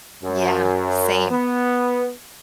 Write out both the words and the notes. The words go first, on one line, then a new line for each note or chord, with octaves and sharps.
Yeah, same.
F#2
B3